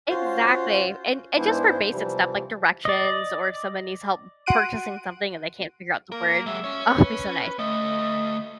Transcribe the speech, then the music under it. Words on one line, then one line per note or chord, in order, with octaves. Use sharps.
Exactly. And and just for basic stuff, like directions or if someone needs help purchasing something and they can't figure out the word oh, it'd be so nice.
C#4 F4 F#4 C5 F5
G#2 E3 B3 D4 E4 C5
C3 E3 F3 G3
D5 D#5
F#4 F#5 C6 F#6 D7 D#7
A#3 A#4
F#3 G#3 E5
C#4 C#5
B4
D2 A3 D#5